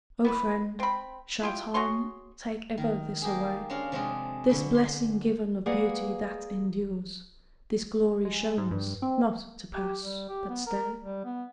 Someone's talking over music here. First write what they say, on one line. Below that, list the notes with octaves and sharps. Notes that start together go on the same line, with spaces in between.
O friend, shall time take ever this away, This blessing given of beauty that endures, This glory shown us, not to pass but stay?
B3 E4 B4
C4 B5
E4 F4 G4
F#4 G#4 C#5 C6
D#3
A#3 G4 G#4
G#3 C#4 D4 F5
C3 F3 G#3 A3 D4 G#4
B2 D3
C6
A#3 G#4 B4 D5 F#5
G#3
G#2
G2
C4
G4
G3
G4
B3
A#4
G3
B3